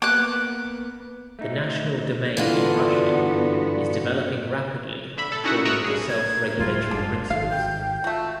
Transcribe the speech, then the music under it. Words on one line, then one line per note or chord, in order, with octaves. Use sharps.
The national domain in Russia is developing rapidly according to self-regulatory principles.
A#3 B3 D6 F#6
A3 D#4
G2 D3 E3 B3 D4 F4 F#4
D3 E5 B5
A4
C#4 D#4 E4 F#4 E5 F#5
A#4 A#5 C#6 D#6 E6 F#6
B1 G2 G#4
A#4 G#6
D1 A2 G3 F4
F#1 G#2 D4
G#1 A4 F5
G5 G6
A3 F4 F#4